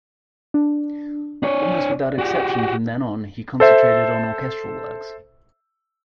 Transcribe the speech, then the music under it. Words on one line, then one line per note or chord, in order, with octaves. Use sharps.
Almost without exception from then on, he concentrated on orchestral works.
D4
D4 C#5 D5
F#4 G4
A4 C5 E5